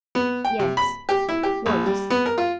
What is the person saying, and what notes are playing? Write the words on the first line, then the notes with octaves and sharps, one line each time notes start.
"Yes, once."
B3
G5
C3
B5
G4
E4
G4
A#1
G3
B3
A#4
F4